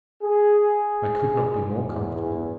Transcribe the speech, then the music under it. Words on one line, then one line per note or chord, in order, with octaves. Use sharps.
"I could not be more comfortable."
G#4
E2